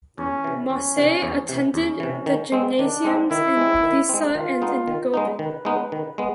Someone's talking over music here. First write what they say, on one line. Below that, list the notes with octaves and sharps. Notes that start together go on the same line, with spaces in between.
Mosse attended the "gymnasiums" in Lissa and in Goben.
E2 C#4
C3 E3
E2 C#4
C3 E3
E2
C3 E3
E2 C#4
C3 E3
D#3
G#3 C4
D#3 D4
G#3 C4
D#3 E4
G#3 C4
D#3
G#3 C4
D#3 F4
G#3 B3 D#4
D#3
G#3 B3 D#4
D#3 B4
G#3 B3 D#4
D#3
G#3 B3